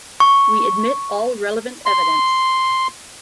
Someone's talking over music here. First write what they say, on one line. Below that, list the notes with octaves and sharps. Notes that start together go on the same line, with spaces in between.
We admit all relevant evidence.
C#6
C6